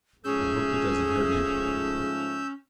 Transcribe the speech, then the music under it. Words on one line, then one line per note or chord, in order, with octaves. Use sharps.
I hope it doesn’t hurt me.
G#2 F3 A3 C#4 G#4 E6 G6